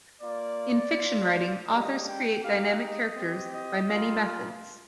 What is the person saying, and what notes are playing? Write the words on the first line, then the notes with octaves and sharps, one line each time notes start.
In fiction writing, authors create dynamic characters by many methods.
A#3 F4 D5
A#3 F4
G#3 D4 G4 D#5
G5
G#3 D#4 G4 F5
D#5
C4 G4
D#5
G3 A#3 F4